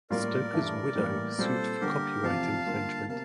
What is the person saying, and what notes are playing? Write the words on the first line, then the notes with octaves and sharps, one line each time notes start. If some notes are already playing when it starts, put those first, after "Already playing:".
Stoker's widow sued for copyright infringement.
A2 G3 A#3 F4 A#4 D5
G2 E3 A3 E4
A2 E3 G3 A#3
A#2 G3 C4 A4 C5
D3 G3 A#3 G4 A#4
E2 C3 F3 A3 C4 F5 A5
D3 G3 A#3 F4
C3 A#3 F5 A5